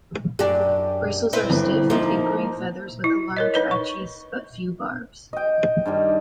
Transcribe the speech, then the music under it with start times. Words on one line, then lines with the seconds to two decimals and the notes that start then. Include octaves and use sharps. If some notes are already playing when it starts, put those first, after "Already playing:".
Bristles are stiff, tapering feathers with a large rachis but few barbs.
0.39 F#2 D4 G4
1.33 C4 E4 B4
1.50 G1
1.90 F3 A#3 D#4 E4
3.04 E4
3.37 A#4 C#5 D#5
3.54 D#4 B4 D#5
3.71 C#6
5.33 D#5 G5
5.86 G2 D#3 G3